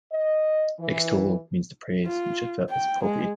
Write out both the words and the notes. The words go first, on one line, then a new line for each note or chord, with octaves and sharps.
'Extol' means to praise, which I felt was appropriate...
D#5
E3
F4
G5
G#3